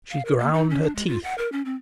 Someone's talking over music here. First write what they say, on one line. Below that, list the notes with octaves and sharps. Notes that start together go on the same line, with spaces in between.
She ground her teeth.
F5
A#4
A#3
D#4
C#4
D4
G#3
F4
F#5
A#4
C#4
C4